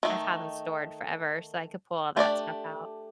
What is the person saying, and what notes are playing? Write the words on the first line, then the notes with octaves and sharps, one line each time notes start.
I've had them stored forever so I could pull all that stuff out.
D#3 A3 D#4
A3 D4 G4 D5